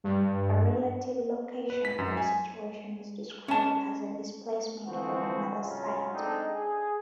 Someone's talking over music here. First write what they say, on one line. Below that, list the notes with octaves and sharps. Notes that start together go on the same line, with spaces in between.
A relative location, or situation, is described as a displacement from another site.
G2
B4
B6
F#2
G#5
C#4 A5
D3 E3 F3 C4 F#4
A2 C#3 F#3 C#4 F4
G#3 C4 D4 D#4 A4
G#4